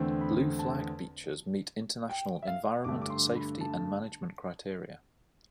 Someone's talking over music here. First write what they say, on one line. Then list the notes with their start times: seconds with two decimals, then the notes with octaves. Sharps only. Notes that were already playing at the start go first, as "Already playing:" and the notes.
Blue flag beaches meet international Environment, Safety and Management criteria.
Already playing: E2 D3 A3 C4
0.21 B5
0.59 A5
2.09 G5
2.42 E5
2.47 F5
2.84 G2 D3 A3 D6
3.02 D6
3.10 C6
3.36 B5
3.61 A5